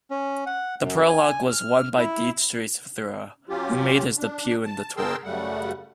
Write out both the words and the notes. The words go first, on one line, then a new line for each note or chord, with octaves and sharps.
The prologue was won by Dietrich Thurau, who made his debut in the Tour.
C#4
F#5
F#2
G#5
F6
E4
F#3 C#4 F4 G4
D4
A5
G#4 A#4 G5 A5 C6 E6
F#2 C#3 G3 A3 F#5